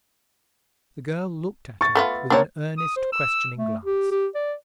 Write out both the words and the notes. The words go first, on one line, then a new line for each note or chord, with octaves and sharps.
The girl looked at him with an earnest questioning glance.
C#6 A6
A3 B3 F4
A#3 C4 D4 C#5
D#6
C5
E6
A3
G4
G4
D5